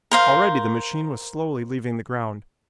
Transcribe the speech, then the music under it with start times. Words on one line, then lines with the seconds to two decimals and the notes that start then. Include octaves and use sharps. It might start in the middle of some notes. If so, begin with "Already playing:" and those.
Already the machine was slowly leaving the ground.
0.11 A#4 C5 F5